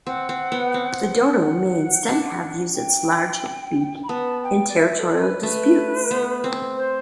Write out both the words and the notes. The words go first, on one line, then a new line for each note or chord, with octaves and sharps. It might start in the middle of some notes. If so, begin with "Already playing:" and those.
The dodo may instead have used its large, hooked beak in territorial disputes.
C4 F#5
C4
B3
C4
F#5
D4
G5
B5
B3 A5
G5
D5
E5
A4
A4
B4
A3 B4
B3
C4
C5